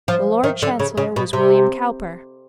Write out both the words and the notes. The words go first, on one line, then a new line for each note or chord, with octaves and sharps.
The Lord Chancellor was William Cowper.
F3
D#3
D3
C#3
C#3
B2
C3